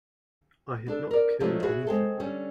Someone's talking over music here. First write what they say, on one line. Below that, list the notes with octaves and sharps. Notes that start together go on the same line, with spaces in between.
I have not killed anything.
B3 D4 A4
A#4 D5
D3 F3 F#3 G#3 A3 E4
F#4 G#4 B4 C#5 E5 F#5
G#3 C4 A4
D3 G3 C#4